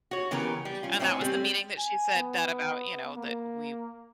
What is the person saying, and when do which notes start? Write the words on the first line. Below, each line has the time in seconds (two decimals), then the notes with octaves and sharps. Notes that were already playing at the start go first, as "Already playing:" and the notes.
And that was the meeting that she said that about, you know, that we
0.11 F#4 C#5
0.31 C#3 E3 B3 G4 A#4
0.65 G3
0.83 C#4 F4
0.99 A2 G3 C4 D#4 C#5 G#5
1.21 G3 C4
1.78 G#5
2.15 B3
3.17 A#3